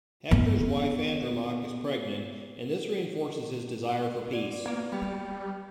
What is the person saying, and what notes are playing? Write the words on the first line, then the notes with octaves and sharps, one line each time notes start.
Hector's wife Andromache is pregnant, and this reinforces his desire for peace.
B3 C#4
F#5
F#4 D5
A#3 B3 B4 D7
G3 G4 G5 B5